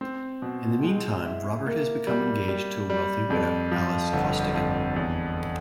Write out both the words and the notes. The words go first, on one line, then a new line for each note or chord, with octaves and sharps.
In the meantime, Robert has become engaged to a wealthy widow, Alice Costigan.
C4
B2
G#3
E4
A#3
G3
G3
G3
F2
F3
G1
F2
E2